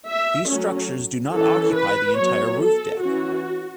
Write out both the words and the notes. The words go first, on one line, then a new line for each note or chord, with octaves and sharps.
These structures do not occupy the entire roof deck.
E5
F#3 A3 C#4
E3 C#4 A4
B4
F#3 B3 C#5
A4
E3 C#4 F#4